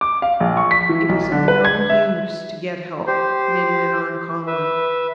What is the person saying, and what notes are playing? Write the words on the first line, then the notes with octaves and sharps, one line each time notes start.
"It is of no use to get help," Min went on calmly.
D6
F5
A#1
C#6
B6
E3
B1
D3
B4
G#6
E5
G4 C5
B4 E5